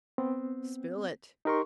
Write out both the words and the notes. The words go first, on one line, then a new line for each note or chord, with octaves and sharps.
"Spill it."
B3 C4
D#4 G4 A#4 C6 C#6